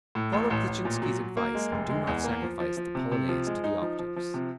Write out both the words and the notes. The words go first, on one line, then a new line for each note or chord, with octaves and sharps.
Follow Kleczynski's advice and do not sacrifice the Polonaise to the octaves.
A2
A1
A1
A1
A#2
F#3
F#3
A#3
G#3
F1
G#3
E2
A#3
F3
F3
F3
C3
C3
F3
G#3
D#4
F3
F3
F3
C3